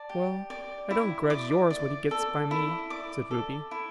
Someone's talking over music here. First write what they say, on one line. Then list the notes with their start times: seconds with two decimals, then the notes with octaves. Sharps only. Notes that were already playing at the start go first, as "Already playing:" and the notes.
"Well, I don't grudge yours what he gets by me," said Ruby.
Already playing: D5 A5
0.09 G4
0.50 D5
0.91 E4
1.30 D5 D6
1.70 D5
2.11 A4
2.51 E4
2.90 D5 D6
3.31 A4
3.71 E4